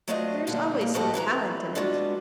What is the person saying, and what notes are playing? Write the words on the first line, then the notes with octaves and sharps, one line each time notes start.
There is always some talent in it.
F#3 A3 C4 D4 F4 D#5
G2 A#2 D3 F3 G3 E4
A#3
A2 F3 F#4 G4 A4 D#5
E3 E4 B4 A#5
G3 G#3 B3 D4 F4 F#4